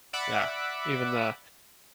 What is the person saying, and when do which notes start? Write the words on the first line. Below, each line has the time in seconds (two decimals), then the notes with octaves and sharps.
yeah, even the,
0.13 D5 E5 F#5 B5 D6